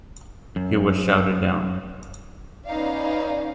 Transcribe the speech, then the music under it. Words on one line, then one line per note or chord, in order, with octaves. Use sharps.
He was shouted down.
F#2
B3 C#4 D#4 D5 F5